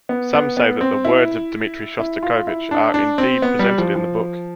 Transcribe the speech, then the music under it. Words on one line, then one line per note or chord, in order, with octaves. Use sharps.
Some say that the words of Dmitri Shostakovich are indeed presented in the book.
B3
B3
B3
C4
E4
E4
F4
E4
D4
D4
C4
B3
G3
F3
F3